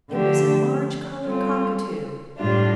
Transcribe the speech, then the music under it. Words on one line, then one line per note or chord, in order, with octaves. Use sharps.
It was an orange-coloured cockatoo.
D3 F3 A3 D4 G4
G3 C4 F4 A4
A2 G3 D4 F4